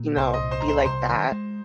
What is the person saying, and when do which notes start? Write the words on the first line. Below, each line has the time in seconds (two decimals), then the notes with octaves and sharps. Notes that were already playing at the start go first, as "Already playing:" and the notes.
you know, be like that,
Already playing: A#2 A#3
0.16 C2 C5 C6
0.34 D#5 D#6
0.40 A#2
0.51 C5 C6
0.60 C2 A#5
0.68 C5 C6
0.85 C2 C5 C6
1.09 D#3
1.32 G#3